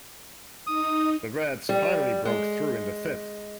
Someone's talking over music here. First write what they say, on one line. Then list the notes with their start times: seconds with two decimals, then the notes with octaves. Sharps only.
The Reds finally broke through in the fifth.
0.67 D#4 D#6
1.69 G3
2.25 G#3